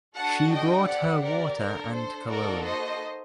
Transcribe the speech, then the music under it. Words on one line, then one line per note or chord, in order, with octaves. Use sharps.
She brought her water and cologne.
D4 F#4 A4 F#5 A5
D#5 G5
C4 G4 D5 F#5
A#4 D5
D4 A4 A#4
C5
A#3 D#4 F#4 A4 A#4 D5
C5 D#5